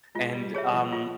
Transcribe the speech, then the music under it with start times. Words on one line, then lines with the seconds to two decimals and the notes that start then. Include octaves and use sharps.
and, um,
0.15 G#3 F4
0.35 G3
0.53 G3 G#4 C#5 E5
0.73 F3
0.93 F4